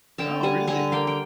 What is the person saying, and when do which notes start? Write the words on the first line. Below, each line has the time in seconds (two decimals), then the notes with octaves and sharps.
Oh, really?
0.18 D3 G5 A5
0.43 G3 F#5 G#5
0.67 D3 F#5 G#5
0.92 A#3 F5 G5
1.07 G5